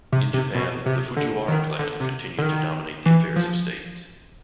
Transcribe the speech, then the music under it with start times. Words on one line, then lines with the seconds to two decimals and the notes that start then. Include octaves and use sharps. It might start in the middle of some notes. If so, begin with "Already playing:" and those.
In Japan, the Fujiwara clan continued to dominate the affairs of state.
0.12 C3
0.34 C3
0.54 B2
0.86 C3
1.16 D3
1.48 D#3
1.79 D3
2.00 C3
2.38 D3
2.42 D#3
3.06 E3
3.36 F3